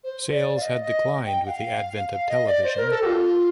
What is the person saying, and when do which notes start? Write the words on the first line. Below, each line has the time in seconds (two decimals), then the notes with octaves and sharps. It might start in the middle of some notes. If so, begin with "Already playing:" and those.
Sales had declined with the advent of television.
0.04 C5
0.30 D5
0.57 F5
0.61 D#5
0.82 D#5
1.25 G5
1.43 G5
1.47 F5
2.11 F5
2.28 D#5
2.47 D5
2.63 C5
2.77 A#4
2.90 A4
3.02 G4
3.05 F4